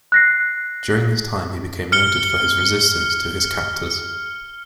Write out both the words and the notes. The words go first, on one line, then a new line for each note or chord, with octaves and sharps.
During this time he became noted for his resistance to his captors.
F#6 A#6 C7
F6 C#7 G7